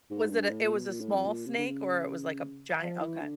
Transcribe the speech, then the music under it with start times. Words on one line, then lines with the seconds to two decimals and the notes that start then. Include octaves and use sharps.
Was it a it was a small snake or it was like a giant Okay.
0.10 G#2
0.30 G2
0.49 A2
0.62 A#2
0.75 B2
0.88 A#2
1.00 A2
1.13 F2
1.26 A#2
1.46 C3
1.57 D3
1.65 C#3
2.82 F3
3.00 E3
3.20 D3